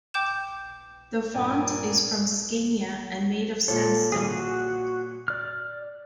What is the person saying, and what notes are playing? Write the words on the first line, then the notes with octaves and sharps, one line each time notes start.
The font is from Scania and made of sandstone.
G5 D6 G6 E7
G2 A#2 A#4 D5 G#5
A#2 A4 C#5
G3 G#4
F#4
D5 F6